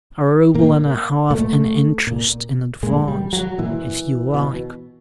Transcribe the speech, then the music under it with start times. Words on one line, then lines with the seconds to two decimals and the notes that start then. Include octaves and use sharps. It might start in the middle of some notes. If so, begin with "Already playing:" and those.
"A rouble and a half, and interest in advance, if you like!"
0.54 A#2 A#3
1.30 A#2 A3
2.07 A#2
2.83 A#2 G#3
3.08 G3
3.33 F#3
3.58 A#2 E3
4.34 B2